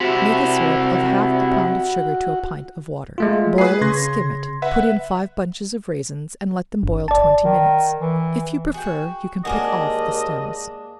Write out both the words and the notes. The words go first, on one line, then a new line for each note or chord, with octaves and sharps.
Make a syrup of half a pound of sugar to a pint of water, boil and skim it; put in five bunches of raisins, and let them boil twenty minutes; if you prefer, you can pick off the stems.
C3 E4 F#4
G#3 A3 F4
G#4 B4 C7
C#3 C6 G#6 A#6
B4 E5 F#5
G1
D5 A5
D#3
E3
F#4 G#4 G5
D#2 G#3 A#3 D4 F#4 D#5 G#5 D6